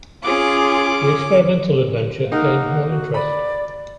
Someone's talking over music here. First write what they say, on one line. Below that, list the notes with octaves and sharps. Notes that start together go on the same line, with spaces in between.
The experimental adventure gained more interest.
C#4 F4 G#4 D6
A#3 D#4 A#4 F#5
F#4
D5 B5